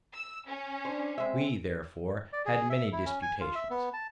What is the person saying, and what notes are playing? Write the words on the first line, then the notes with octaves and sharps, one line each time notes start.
We therefore had many disputations.
E6
C#4
D4 C5
G#3 C4 E5
D5
G#4
E5
E4
C#4
G#5
F4
E5
B3
A5